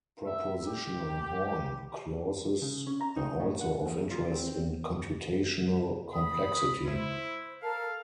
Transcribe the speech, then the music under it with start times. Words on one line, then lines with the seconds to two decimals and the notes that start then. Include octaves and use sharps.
Propositional Horn clauses are also of interest in computational complexity.
0.26 E5
0.68 G4
2.62 C#3
2.87 C#4
3.01 A#5
3.16 D#4
3.40 A2
3.61 F#5
3.86 E2
3.98 F#2
4.11 F4
4.30 C4
4.47 C4
6.13 B5 D#6
6.86 E4 C5
7.62 A4 A#4 F5 A5